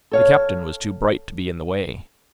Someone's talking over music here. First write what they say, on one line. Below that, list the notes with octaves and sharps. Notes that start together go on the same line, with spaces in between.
The captain was too bright to be in the way.
A4 C#5 F5